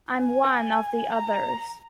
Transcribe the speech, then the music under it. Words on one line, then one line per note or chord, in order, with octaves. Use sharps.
I’m one of the others.
G#5
A#5